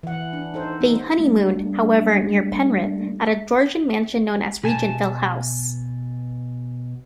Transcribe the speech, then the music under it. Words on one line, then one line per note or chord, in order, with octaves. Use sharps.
They honeymooned, however, near Penrith, at a Georgian mansion known as Regentville House.
E3 F#5
D4
D#4 A4 C5
B3 D#4
G3 A3 A#3 D4
B2 G#5 A5